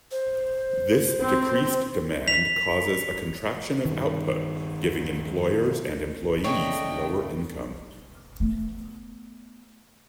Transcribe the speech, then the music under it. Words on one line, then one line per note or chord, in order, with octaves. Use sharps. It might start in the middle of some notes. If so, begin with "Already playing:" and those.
This decreased demand causes a contraction of output, giving employers and employees lower income.
C5
C4
B6 F7
G2 D#3
C#3 A3 D4 C#5 D#5 G5
A3 B3